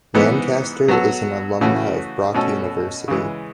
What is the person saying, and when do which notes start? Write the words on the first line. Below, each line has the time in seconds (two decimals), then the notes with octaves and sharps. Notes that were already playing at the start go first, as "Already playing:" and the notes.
Lancaster is an alumna of Brock University.
0.14 G#2 E3 B3
0.88 F#3 B3 F#4 A4
1.61 C#3 E3 A3 C#4 F#4
2.34 B2 A3 C#4 F#4 A4
3.08 C#3 E3 G#3